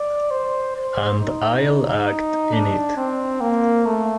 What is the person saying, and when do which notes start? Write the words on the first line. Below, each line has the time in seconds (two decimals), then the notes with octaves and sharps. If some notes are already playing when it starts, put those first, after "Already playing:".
And I'll act in it.
Already playing: D5
0.31 C5
0.76 C5
1.19 D#4
2.53 D4
2.97 C4
3.41 A#3
3.86 A3